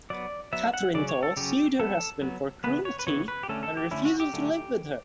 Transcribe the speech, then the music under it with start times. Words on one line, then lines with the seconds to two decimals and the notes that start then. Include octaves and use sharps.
Katherine Thaw sued her husband for cruelty and "refusal to live with her".
0.10 F#3 B3 D5
0.53 F#3 B3 E5
0.74 F#5
0.94 C#3 F#3 C#4 D5
1.09 C#5
1.23 A4
1.37 C#3 F#3 C#4 G4
1.79 F#3 B3 A4
2.22 F#3 B3
2.64 C#3 E3 B3 B4
2.85 C#5
2.99 B4
3.07 C#3 E3 B3 C#5
3.28 B4
3.43 G4
3.49 D3 A3 C#4 A4
3.63 A4
3.77 G4
3.91 D3 A3 C#4 E4
4.05 F#4
4.20 G4
4.33 D3 F#3 A3 C#4